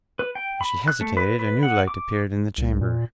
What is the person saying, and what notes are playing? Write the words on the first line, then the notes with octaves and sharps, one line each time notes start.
As she hesitated a new light appeared in the chamber.
B4
G5
B5
F#6
A3
B4
B4
F#5
D6
C2
A#2